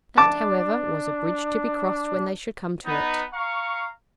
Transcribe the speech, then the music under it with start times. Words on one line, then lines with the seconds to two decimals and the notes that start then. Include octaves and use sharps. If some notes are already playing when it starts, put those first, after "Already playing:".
That, however, was a bridge to be crossed when they should come to it.
0.17 D4 A5 D6
2.85 B3 D#4
3.32 F5 A#5 C#6